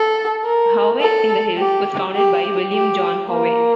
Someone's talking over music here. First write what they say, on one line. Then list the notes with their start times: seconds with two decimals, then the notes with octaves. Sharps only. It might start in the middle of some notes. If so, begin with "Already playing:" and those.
Howey-in-the-Hills was founded by William John Howey.
Already playing: A4
0.45 A#4
1.01 A4
1.58 G4
2.16 G4
2.73 G4
3.28 A#3